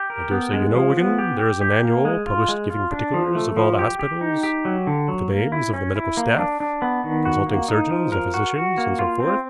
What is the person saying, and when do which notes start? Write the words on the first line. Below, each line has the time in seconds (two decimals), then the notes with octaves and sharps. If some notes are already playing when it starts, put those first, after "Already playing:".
I daresay you know, Wigan, there is an annual published giving particulars of all the hospitals, with the names of the medical staff, consulting surgeons and physicians, and so forth.
Already playing: G4
0.10 A#4
0.31 B3
0.53 G#3
0.75 F3
0.97 B3
1.19 G4
1.40 G4
1.61 G4
1.83 A#3
2.05 G#3
2.26 F4
2.48 G#3
2.70 F4
2.91 D4
3.14 F3
3.35 A3
3.56 F3
3.79 G4
3.99 G4
4.21 D#4
4.43 G4
4.65 F#3
4.87 D3
5.08 F#3
5.30 A#3
5.52 E4
5.73 C#4
5.96 E4
6.17 A#3
6.38 D4
6.60 D4
6.82 B3
7.04 D#3
7.25 F#4
7.47 A#3
7.68 D#4
7.91 F3
8.12 A#4
8.34 F#4
8.56 F#4
8.78 A#3
8.99 F4
9.20 C4